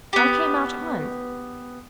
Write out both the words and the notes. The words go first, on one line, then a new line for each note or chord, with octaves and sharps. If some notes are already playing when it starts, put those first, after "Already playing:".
I came out at once.
B3 G4